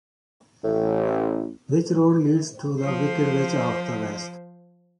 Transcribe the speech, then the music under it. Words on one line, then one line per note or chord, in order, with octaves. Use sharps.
Which road leads to the Wicked Witch of the West?
A1 A2
F3 C5